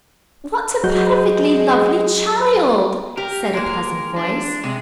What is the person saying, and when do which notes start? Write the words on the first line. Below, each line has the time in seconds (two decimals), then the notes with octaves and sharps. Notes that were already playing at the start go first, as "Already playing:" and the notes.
"What a perfectly lovely child!" said a pleasant voice.
0.84 F#3 G#3 F#4 G6
3.17 G4 A#4
3.54 G#3 A#3 A#4
4.16 D4
4.64 C3 G#3